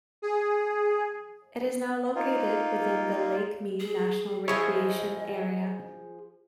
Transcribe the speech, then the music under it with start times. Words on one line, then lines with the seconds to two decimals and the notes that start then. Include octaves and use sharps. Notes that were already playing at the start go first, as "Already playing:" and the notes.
It is now located within the Lake Mead National Recreation Area.
0.22 G#4
2.16 A#3 D#4 F4
3.80 G#4
4.48 F3 E4 G#4 C#5 D#5 G#5